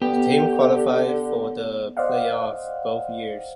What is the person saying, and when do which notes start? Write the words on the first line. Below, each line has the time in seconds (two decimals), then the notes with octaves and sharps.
The team qualified for the playoffs both years.
0.02 D3 B3 G4
1.97 C5 D5 D#5 F5 F#5